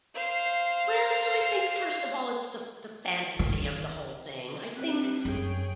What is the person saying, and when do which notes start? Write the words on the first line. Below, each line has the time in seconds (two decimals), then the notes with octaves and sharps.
Well, so I think, first of all, it's the the fantasy of the whole thing. I think,
0.15 C5 F5
3.39 D#3
4.74 G3 C4 B4
5.25 F#2 G#4 C#5 G5